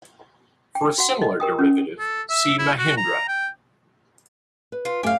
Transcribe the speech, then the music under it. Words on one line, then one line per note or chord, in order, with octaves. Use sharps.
For a similar derivative, see Mahindra.
G5
F#4 F#5
D#5
G4 A#4 G5 D#6
C#4
A4
E5
E4
F#4
A#5
G5
B4
F4
F#2 A3 G4 F5 G#5